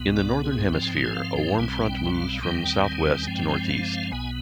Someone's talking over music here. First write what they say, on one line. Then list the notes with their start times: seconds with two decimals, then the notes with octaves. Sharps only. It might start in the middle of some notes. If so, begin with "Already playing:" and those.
In the Northern Hemisphere a warm front moves from southwest to northeast.
Already playing: C2 B2 B3
0.16 D5
0.44 G#4
0.73 G#2 F3 C4 G5
0.87 G5
0.94 G#5
1.15 F5
1.36 G5
1.58 B1 B2 G3 C4 G#5
1.82 F5
1.85 G5
2.14 F5
2.42 D#2 D#3 G3 C4 G5
2.84 G#5
3.21 G#5
3.27 G2 F3 G#3 C4 G5
3.70 F5
4.12 B1 B2 B3 G#5